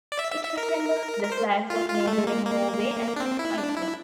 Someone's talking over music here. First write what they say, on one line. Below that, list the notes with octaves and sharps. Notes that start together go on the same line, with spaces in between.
It resembles the flags of neighbouring Norway and Iceland.
D5
E5
E5
E5
A#4
A#4
C5
F4
F4
A3
A#3
A#3
D4
C4
E4
D4
E4